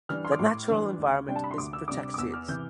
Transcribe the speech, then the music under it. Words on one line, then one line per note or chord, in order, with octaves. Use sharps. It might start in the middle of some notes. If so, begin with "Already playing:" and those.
The natural environment is protected.
E3 G3 D4 F6
C6
D6
A2 C6
E3 G3 D4
D2
C3 G3 D4 G5
A5
B5
C6
D2 D6
E6
C3 G3 D4 D6
D6
E2 E6
F6
C3 E3 G6